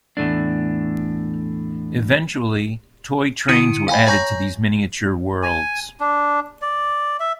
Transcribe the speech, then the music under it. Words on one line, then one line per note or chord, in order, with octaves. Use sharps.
Eventually, toy trains were added to these miniature worlds.
E2 A2 A3 D4
D3 E4 D#6 C#7 D#7
F5 G5 G#5 B5
C#5 G#5 A#5 C#6 G6 A#6
G#5
D4
D5
E5